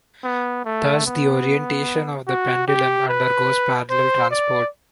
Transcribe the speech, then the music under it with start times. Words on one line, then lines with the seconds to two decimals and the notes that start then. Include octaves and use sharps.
Thus the orientation of the pendulum undergoes parallel transport.
0.24 B3
0.65 A3
1.05 B3
2.27 F#4
2.68 G4
3.08 B4
3.90 C5
4.31 D5